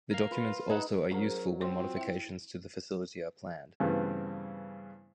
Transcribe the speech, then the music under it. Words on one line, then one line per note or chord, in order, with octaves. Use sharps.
The documents also are useful when modifications to the facility are planned.
A#4 F5
F4 B4
D#4 G#4 A4 F#5
F#3 C#4 F#4 G#4 A#4 C5
C4 F4 C5 C#5 C6
E4 E5 G5
G2 C#3 E3 A3 B3 C4